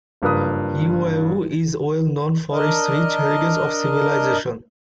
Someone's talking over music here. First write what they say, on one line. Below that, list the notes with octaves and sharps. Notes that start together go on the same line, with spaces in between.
Yuyao is well known for its rich heritage of civilization.
F#1 G2 F3 A#4 B4 D#6
D4 A#4 D#5